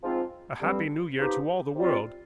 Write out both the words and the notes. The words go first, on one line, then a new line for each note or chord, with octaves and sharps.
A happy New Year to all the world!
G#2 F3 C4 F4
G2 D3 G3 C4 G4
F3 B3 D#4 G4
C3 G3 C4 F4